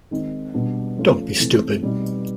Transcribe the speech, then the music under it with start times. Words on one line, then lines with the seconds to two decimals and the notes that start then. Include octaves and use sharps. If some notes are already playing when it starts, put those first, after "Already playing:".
Don't be stupid.
0.11 D#3 G#3 C4 D#4
0.54 B2 G3 B3 D4
0.97 F3 A3 C#4 F4
1.40 C3 E3 A3 C4
1.83 B2 G3 C4 D#4